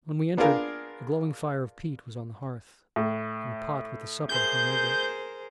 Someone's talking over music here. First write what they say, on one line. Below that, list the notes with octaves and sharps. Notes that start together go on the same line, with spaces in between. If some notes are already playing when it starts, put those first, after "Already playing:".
When we entered, a glowing fire of peat was on the hearth, and the pot with the supper hung over it.
B3 D4 F4 G#4 A#4 F5
A2
G#4 A#4 C5 G6